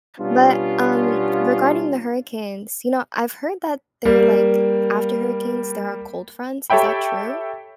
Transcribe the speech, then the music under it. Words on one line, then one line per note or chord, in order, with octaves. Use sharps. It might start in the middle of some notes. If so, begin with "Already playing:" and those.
but, um, regarding the hurricanes, you know, I've heard that they're like after hurricanes there are cold fronts, is that true?
B2 G3 B3 C#4 D4 F4
G3 A#3
G4 A4 C#5 E5 G5 B5